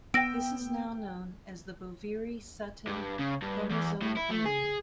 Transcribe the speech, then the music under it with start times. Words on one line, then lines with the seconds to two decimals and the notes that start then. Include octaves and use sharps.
This is now known as the Boveri-Sutton chromosome theory.
0.14 B3 G5 E6 A#6 D7
2.87 G2
3.19 C#3
3.42 G2
3.70 E2
4.02 A2
4.17 E4
4.31 A3
4.46 G#4